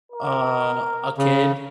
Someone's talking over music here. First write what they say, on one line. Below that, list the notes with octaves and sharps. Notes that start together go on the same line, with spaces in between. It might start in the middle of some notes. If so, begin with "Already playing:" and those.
Uh, a kid,
A#4
C#3